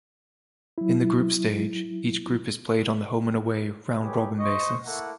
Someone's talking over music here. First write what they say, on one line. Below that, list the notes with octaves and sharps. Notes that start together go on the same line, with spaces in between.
In the group stage, each group is played on a home-and-away round-robin basis.
F#3 E4
G4 G#4 A#4 B4 C#5
C5 D#5 C#6
A3 A#3 E4 A4 F#5